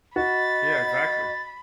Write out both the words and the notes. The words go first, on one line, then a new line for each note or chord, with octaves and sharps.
Yeah, exactly.
F#4 D#5 B5 A6